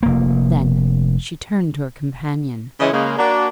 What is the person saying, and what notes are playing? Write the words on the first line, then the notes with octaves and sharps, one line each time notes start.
Then she turned to her companion.
F1 A#3
C#3 E3 G#3 C#4 E4 D#5
C#3 G#3 A#3
A#3 D4 F#4